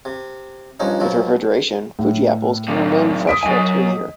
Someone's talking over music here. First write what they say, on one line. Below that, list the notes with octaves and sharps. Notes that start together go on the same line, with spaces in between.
With refrigeration, Fuji apples can remain fresh for up to a year.
C3
G2 F3 C#4 D#4
B2 F3 F#3
A2
F#2 C3
D#6 B6 D7
F#3 D#5 G#5